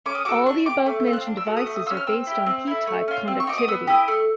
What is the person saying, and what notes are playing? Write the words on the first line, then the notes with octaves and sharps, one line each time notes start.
All the above-mentioned devices are based on p-type conductivity.
C#4 D6
D#6
F#4 A4 D6
D4 C#6
G4 D6
A3 D6
G6
C4 F4
F#6
D4
E6
F#4 A4
D#6
A3
D#6
F4 E6
C#4
F6
C4 E6
E4 G4
C4
E4 A4
A3
C#4 F4
C4
C#6
D#4 F#4 D6
D#6
B3 E6
E4 G4 D#6
A3